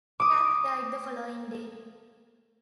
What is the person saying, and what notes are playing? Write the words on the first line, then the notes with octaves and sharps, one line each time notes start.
Kapp died the following day.
D6 D#6